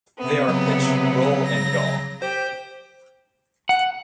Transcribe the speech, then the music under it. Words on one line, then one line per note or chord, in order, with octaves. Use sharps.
They are pitch, roll and yaw.
C3 B3
C#3 F#3
A#6
G4 C5
F#5